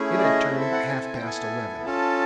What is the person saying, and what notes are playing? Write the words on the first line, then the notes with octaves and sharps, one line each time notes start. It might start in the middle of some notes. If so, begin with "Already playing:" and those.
It had turned half-past eleven.
Already playing: A3 C#4 E4 G#4
D5
D#5
C4 E4 A4 E5
F#5
G#5
G#5
G5
B3 E4 A4
G#5
C#4 F4 A4 A5